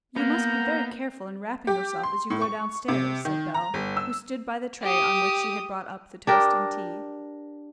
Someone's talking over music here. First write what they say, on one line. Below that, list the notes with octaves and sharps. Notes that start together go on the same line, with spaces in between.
"You must be very careful in wrapping yourself as you go downstairs," said Bell, who stood by the tray on which she had brought up the toast and tea.
A#3 B3 A#5 G6
G4
C6
A2
C#6
C3
D#3
A#5
G1
E6
G4 D#6
D4 G4 A#4